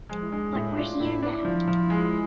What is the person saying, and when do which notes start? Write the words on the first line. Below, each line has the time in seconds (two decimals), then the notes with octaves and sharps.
But we're here now.
0.09 F3 G#3
0.22 E4
0.32 G#3 D4
0.55 A2 E4
0.77 D4 F4
1.00 A2 E4
1.23 D4 E4
1.45 F3
1.68 F3
1.90 G#3